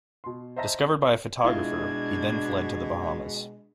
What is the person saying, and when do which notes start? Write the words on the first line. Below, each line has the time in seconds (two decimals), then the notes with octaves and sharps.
Discovered by a photographer, he then fled to the Bahamas.
0.24 B2 C6
0.56 C5 D#5 E5 A5 A#5 A#6
1.44 B2 G#3 D4 E4 F4 G#6